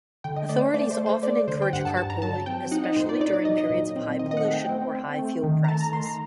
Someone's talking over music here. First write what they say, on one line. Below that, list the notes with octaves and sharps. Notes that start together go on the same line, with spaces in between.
Authorities often encourage carpooling, especially during periods of high pollution or high fuel prices.
D3 G5
D#5
A3 D5
C5
A3 D5
C5
A3
C5
A3 D5
D3 C5
G5
G2 F#5
A5
G2 A5
A#5
F#3 A5
C4 G5
D#4 F#5
D#5
A#2 C5
D5
D#4 D5
D5
F#3 D#5
D#5
A#2
C4
D#3 D#5
D#5
F#5
A3
G5
C4
C4
A3
D#3
A#5
A3 A5
A#5
D#3 C6
A#5